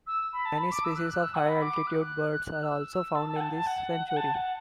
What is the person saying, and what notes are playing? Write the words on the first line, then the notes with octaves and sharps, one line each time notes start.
Many species of high altitude birds are also found in this sanctuary.
E6
B5
A5
B5
D6
E6
F#6
F#6
E6
F#5
B5
D6
F#6
E6
A5
A5
F#5
A5
A5
F#5
F#5
A5
F#5